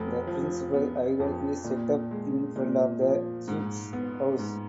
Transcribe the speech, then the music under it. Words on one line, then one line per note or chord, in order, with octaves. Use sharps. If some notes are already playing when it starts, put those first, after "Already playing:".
The principal idol is set up in front of the chief's house.
Already playing: F1
F3
B3
F2
A#2
G#3
A#2
F3
G#2
B3
G#2